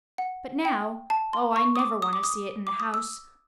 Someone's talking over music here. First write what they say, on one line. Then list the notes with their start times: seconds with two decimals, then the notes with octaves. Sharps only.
But now-- Oh, I never want to see it in the house!
0.18 F#5
0.65 G5
1.10 A5
1.33 C6
1.56 C#6
1.76 D#6
1.79 D6
2.02 D#6
2.13 D6
2.24 D#6
2.67 D6
2.80 D#6
2.94 E6